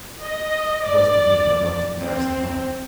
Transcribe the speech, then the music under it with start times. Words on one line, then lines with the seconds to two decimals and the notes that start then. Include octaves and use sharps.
It was for me a most embarrassing moment.
0.21 D#5
0.84 D5
2.00 C4